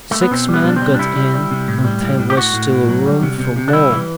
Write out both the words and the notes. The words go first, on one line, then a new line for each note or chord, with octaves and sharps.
Six men got in and there was still room for more.
A3
B3
B2 C4
G3
B3
B2 D4
C4
G3
D4
C3 E4
G3
G3
C3
A2
G3
A2
A2
G4
A2 F#4
A2
A2
F#3
G3
C3
C3
C3
D4
G3 E4
E3